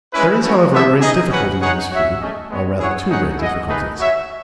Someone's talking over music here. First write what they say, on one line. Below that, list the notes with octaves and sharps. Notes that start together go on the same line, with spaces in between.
There is, however, a great difficulty in this view, or rather two great difficulties.
G#3 C#4 E4 B4
A3 C#4 F#4
B3 E4 A4 E5
D#4 G#4 D#5
C#4 F#4 B4 F#5
D#4 G#4 C#5 F#5
F#4 C#5 E5
A3 C#4 G#4 D#5
G#3 B3 F#4 C#5
E4 G#4 C#5 F#5
A3 D#4 G#4 C#5 F#5
E4 G#4 D#5 F#5
A3 D#4 G#4 B4 D#5
F#4 C#5 E5